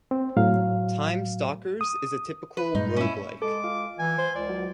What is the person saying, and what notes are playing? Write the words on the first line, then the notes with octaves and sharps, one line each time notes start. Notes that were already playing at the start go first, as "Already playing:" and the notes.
Time Stalkers is a typical Roguelike.
C4
A2 F#3 F5
D#6
B4
G2 A#2 G#3 D#4
C#4 E4
G#3 A4 D6
F4
E3 G#5
C5
C#2 D5
F#3